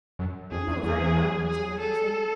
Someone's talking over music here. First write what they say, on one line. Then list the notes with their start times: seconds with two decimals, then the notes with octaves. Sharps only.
"You know very well," he answered recklessly.
0.19 F#2
0.51 F2 G#4
0.68 E2
0.84 E2 G#4
1.48 G#4
1.80 A4